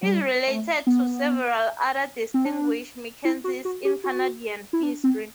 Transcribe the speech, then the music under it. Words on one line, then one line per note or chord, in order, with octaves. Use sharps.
He is related to several other distinguished MacKenzies in Canadian history.
F#3
G3
A3
B3
C4
D4
E4
F#4
F#4
G4
F#4
E4
D4
C4